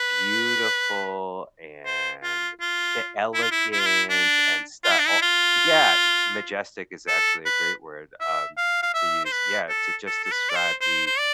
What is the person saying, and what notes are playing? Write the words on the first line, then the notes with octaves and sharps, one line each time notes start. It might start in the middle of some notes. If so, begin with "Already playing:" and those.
beautiful and she elegant and stuff o Yeah, majestic is actually a great word, um, to use, yeah, to just describe the
Already playing: B4
C5
F4
F4
E4
F4
E4
E4
F4
E4
D4
F4
E4
D4
E4
F4
A4
B4
E5
F5
F5
E5
C5
B4
A4
A4
A4
B4
D5
C5
C5
C5
D5